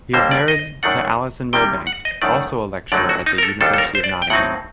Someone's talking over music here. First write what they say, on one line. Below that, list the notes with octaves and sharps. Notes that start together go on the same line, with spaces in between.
He is married to Alison Milbank, also a lecturer at the University of Nottingham.
D#2 D3 G3 A#3 C5
D5
D#5
F#2 D#3 A3 D4 F#5
C3 D#3 G3 A#3 G5
F#5
D#5
F#2 D#3 A3 D5
F#2 D3 F#3 A3 D#4 D5
F#4
D#4
A#4
A4
D#2 D#3 G3 D4 A4
A4
A#4
C5
D5
G5
A2 F#3 C4 D#4 F#5